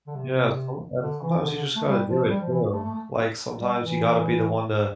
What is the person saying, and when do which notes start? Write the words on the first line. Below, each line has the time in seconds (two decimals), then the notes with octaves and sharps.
Yeah, sometimes sometimes you just gotta do it too. Like, sometimes you gotta be the one to
0.07 D3
0.15 C3
1.01 D3
1.22 E3
1.43 D3
1.54 D3
1.76 A3
1.87 G3
2.08 F3
2.30 G3
2.41 F3
2.51 E3
2.72 A3
2.83 A3
2.94 A3
3.59 G3
3.81 E3